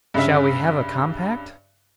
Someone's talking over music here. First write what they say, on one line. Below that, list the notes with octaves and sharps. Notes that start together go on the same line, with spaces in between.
Shall we have a compact?
G2 C#3 E5